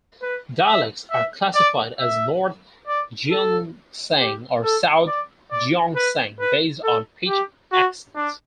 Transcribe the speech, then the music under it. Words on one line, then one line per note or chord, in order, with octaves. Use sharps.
Dialects are classified as North Gyeongsang or South Gyeongsang based on pitch accent.
B4
E5
E5
D5
E5
D5
A4
G4
A4
D5
D5
B4
B4
A4
G4
F#4
D4